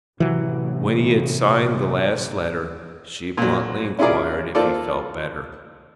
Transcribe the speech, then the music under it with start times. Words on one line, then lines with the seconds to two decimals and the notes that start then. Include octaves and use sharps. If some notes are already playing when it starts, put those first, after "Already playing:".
When he had signed the last letter she bluntly enquired if he felt better.
0.20 A1 C3 E3 F#3
3.37 A#2 F#3
3.99 C#4 E4 F4 G#4 A#4 D5
4.55 A#3 F4 A4 C5 D5